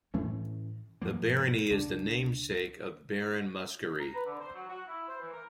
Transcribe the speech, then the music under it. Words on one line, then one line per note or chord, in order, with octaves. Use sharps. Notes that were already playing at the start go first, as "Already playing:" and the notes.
The barony is the namesake of Baron Muskerry.
A2 E3 A3 C#4
G#2 F3 A#3
C#2 D4
A#5
B4
D3
C5
F#3
F#4
E4
C5
E3
A#4